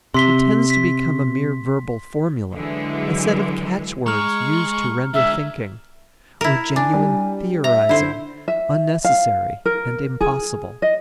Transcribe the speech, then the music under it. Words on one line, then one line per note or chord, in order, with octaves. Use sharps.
It tends to become a mere verbal formula, a set of catchwords used to render thinking, or genuine theorizing, unnecessary and impossible.
C3 C6 B6 G7
B6
D3 E3 F#3 G#3
G#3 A#5 C#6 F6
D3 G#3 E5
E4 A#4
D4 G#5
G3
E5 A#5
D3 E4 C5
E5
F5
A#4
G#4
D#5